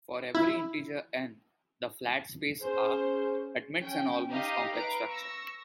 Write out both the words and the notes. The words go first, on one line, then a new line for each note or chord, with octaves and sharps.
For every integer n, the flat space R admits an almost complex structure.
E4
C#4 G#4 C5
C#4 G5
D#4 G4 D#5 F5
B4 F5 A#5 D7
C#6 E6 A#6